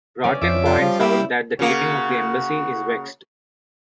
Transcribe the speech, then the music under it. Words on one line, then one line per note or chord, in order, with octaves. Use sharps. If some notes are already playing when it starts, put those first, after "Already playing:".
Broughton points out that the dating of the embassy is vexed.
C#4 D5
F2 E5 D6
D3 F4
F3 G3
A#3 E4 G4
C#3 A#3 F#4